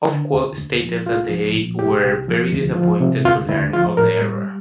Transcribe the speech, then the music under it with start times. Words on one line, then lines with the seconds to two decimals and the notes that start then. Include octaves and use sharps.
Ofqual stated that they were "very disappointed to learn of the error".
0.09 D3
0.33 D2
0.57 D2
0.82 F3
1.06 C2 F4
1.30 F3
1.54 A#2
1.79 C2 G4
2.03 C2
2.28 F3
2.52 D2
2.76 F3
3.00 C3
3.25 D2 F4
3.49 D2 E4
3.73 F3 F4
3.97 A2 A#4
4.22 G3